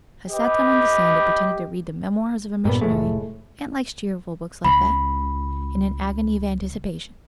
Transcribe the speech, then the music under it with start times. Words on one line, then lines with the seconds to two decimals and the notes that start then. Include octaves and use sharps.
I sat down on the sand and pretended to read the "Memoirs of a Missionary"--Aunt likes cheerful books like that--in an agony of anticipation.
0.29 G4 B4 D#5 G5
2.65 G2 A#2 B3
2.81 F1 A2 G#3 A3
4.65 C#2 B5